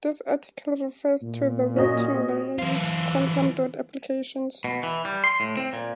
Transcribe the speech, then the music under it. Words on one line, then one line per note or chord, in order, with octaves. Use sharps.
This article refers to the wetting layer used for quantum dot applications.
A#2
C#4 F#4 D#5
E3 F4
B2
E3
G3
C6
A2
C4
A#2